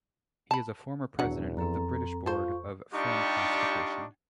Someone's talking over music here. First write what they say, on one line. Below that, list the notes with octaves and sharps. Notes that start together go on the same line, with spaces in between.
He is a former president of the British Board of Film Classification.
A5 B5
D#1 E2 F#3 D4 F#5
F2 C4 A4 A#5
F4 A4 C5 C#6
G3 D4 D#4 F4 G4 C#6